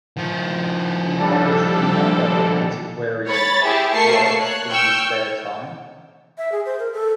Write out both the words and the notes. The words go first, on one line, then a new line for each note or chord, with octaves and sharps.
He published a number of antiquarian works in his spare time.
D#3 F3
G3 D4 A4
C#5 B5 A6
E4 G4 G#4 E5
A3 A#3 A5 C#6 C7
C#5 F#6
G5 C#6 E6 F6 G6
E5
G#4
C5
A#4
A4